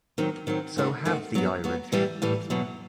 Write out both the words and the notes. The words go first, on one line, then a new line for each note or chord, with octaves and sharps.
So have the Irish.
D#3 F#3 C4
D#3 F#3 C4
D#3 A3 C4 F#4
D#3 A3 C4 F#4
F#3 B3 F#4
F#3 B3 F#4
A2 E3 G3
A2 E3 G3
E2 B2 F#3